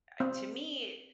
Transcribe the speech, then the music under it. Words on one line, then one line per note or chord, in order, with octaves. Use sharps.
uh, to me,
C4